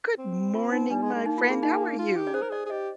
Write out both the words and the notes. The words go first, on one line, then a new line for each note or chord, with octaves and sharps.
Good morning, my friend. How are you?
C4
F4
D#4
G3 D4
G#3
G#3
A#3 D#4
F4
G#4
D#4
F4
G4
D5
G#4 C5
A#4
G#4 D5
G#4
G4 D#5